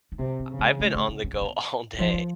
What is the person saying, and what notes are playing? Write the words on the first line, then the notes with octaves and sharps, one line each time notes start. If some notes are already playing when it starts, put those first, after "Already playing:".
I've been on the go all day,
D4
C3 D#4
D4
C#3
A3
A3
A3
A#3
B3
C4
B3
D4
F3 C#4
D4
D#4